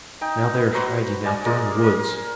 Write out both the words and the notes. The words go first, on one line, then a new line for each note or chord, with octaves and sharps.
Now they are hiding out there in the woods.
D#4 G5
B4 D#5
F#4 B4 C5 A#5
D5 D#5 G#5
G#3 F4 A#4 D5
A#4